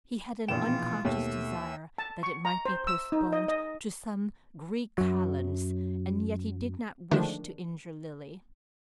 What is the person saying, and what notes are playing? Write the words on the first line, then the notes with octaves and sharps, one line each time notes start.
He had an unconscious desire that it might be postponed to some Greek kalends, and yet he did not wish to injure Lily.
A#1 B2 E3 F3 F4 G5 E7
D#2 B2 A3 E5
A5
C#6
A#5
C5
E6
D#4
D#5
D#5
F#2 F#3
D3 D#3 F3 G#3 A3 D4